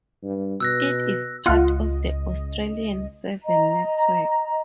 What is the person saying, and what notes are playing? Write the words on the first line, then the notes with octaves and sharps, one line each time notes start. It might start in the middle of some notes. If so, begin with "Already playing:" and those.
It is part of the Australian Seven Network.
G2
B2 E6 F#6 A#6
C#2 F4 D#5 F#5
D#5 A#5